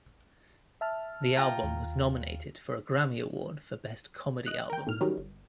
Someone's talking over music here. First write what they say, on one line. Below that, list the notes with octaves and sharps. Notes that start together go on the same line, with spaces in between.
The album was nominated for a Grammy Award for Best Comedy Album.
E5 A5 F6
F4 G5 A#5
D#2
D#5 F#6
A#4 G5
B1 A2 F6
D#3 F#3 G3 C#4
G1